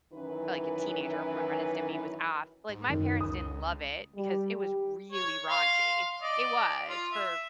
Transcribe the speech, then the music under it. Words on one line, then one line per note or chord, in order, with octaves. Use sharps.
like, a teenager when Ren and Stimpy was off, like, my parents didn't love it because it was really raunchy. It was for,
F#2 D#3 E3 C#4 E4 B4
G#2
F#2 D#3
C#2 D#6
G3
G4
C#5
F5 C6
D5 D#5
F4
E5